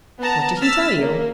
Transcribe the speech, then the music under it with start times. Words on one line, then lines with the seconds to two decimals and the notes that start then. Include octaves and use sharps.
"What did he tell you?"
0.19 B3 A5 A#5
0.60 E6 F6 A6 B6
0.97 A#3